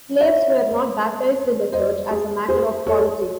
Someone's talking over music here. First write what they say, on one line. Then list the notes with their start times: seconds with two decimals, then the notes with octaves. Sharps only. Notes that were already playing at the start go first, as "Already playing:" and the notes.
Slaves were not baptized in the church as a matter of policy.
0.21 C#5 E5
1.72 C5 D#5
2.11 G#4
2.49 G#4 C5
2.87 A4 C#5